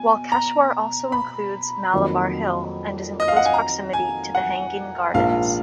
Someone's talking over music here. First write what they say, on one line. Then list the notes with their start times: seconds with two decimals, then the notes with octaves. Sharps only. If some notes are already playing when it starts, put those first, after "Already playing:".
Walkeshwar also includes Malabar Hill, and is in close proximity to the Hanging Gardens.
Already playing: B2 G#5
0.32 A#5
1.12 B5
1.93 F2 D#3 F#3 A#3
3.20 D#5
3.28 F5
3.37 F#5
3.45 G#5
3.54 A#5
3.93 G#5
4.35 F#5
5.14 A#1 G#2 F3 A#3 F4 F5